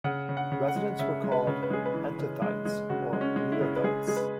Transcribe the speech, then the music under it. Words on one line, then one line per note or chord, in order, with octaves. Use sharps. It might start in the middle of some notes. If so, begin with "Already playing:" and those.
Residents were called Antothites or Anetothites.
C#3 F#5
C#3
F#5
C#3
F#5
G#3
C#3 E5
G#3
B4
C#3
B4
G#3 G#4
B4
E3
C#3
G#3
G#3
C#3 F#4
G#3
C#4
G#3
E4
C#3
B4
G#3 G#4
G#3 G#4
B4